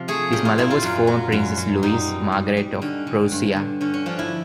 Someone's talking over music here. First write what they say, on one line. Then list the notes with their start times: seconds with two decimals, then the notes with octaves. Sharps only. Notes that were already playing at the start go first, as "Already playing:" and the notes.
His mother was the former Princess Louise Margaret of Prussia.
Already playing: C3 F3
0.08 A3 G#4
0.33 A#2 G4
0.45 F4
0.58 A#2 E4
0.70 F4
0.83 F#2
1.07 F#3
1.32 F#2
1.58 F#3
1.83 G3 D#4
2.07 B2
2.32 G3
2.57 G3
2.82 D3 C#4
3.07 D3
3.32 G2
3.56 D3
3.81 D3 C#4
3.94 C#4
4.06 F3 D4
4.19 E4